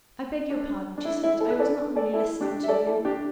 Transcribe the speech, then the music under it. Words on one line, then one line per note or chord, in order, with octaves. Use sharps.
"I beg your pardon," she said; "I was not really listening to you."
D4
D4
E4
E4
E4 A4
B4
A4 D5
A4 D5
E4 A4
D4 G4
E5
A4 D5
E4 A4
D4 G4